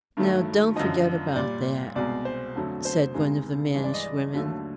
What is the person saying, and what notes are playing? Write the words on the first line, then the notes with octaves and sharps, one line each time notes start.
"Now, don't forget about that," said one of the mannish women.
G2 D#3 F#3 A3
F#2 D3 F3 D#5
A#2 G3 D5
C2 B2 G#3 D5
C5
F2 D3 F#3 A3
C5
C#2 C3 D#3 G#3
G2 E3 G#3
D5
D#5
D5
D#2 D3 F#3 A3